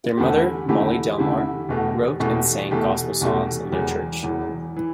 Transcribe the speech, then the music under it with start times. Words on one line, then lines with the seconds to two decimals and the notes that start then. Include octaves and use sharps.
Their mother, Mollie Delmore, wrote and sang gospel songs for their church.
0.17 E2 D3 A3 E4 G4
0.69 E2 D3 A3 E4 G4
1.18 E2 D3 A3 E4 G4
1.69 E2 B2 A3 G4
2.20 E2 B2 A3 G4
2.71 E2 B2 A3 G4
3.21 E2 B2 A3 G4
3.72 E1 E2 E3
4.23 E1 E2 E3
4.76 E3